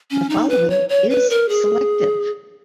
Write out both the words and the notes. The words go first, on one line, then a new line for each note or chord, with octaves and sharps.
The following is selective.
C#4
D#4
B4
C#5
C#5
B4
A#4
G#4